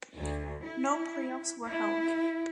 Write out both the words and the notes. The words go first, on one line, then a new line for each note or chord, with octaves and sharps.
No playoffs were held.
D2
E4
E4